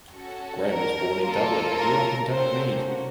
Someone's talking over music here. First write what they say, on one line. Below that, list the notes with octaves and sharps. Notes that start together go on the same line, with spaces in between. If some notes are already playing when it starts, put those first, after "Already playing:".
Graham was born in Dublin and grew up in Donaghmede.
C#4 F#4 A4
A#4
A#3 F4 A4
A#4
A#3 C4 C#4 F#4 A4 C5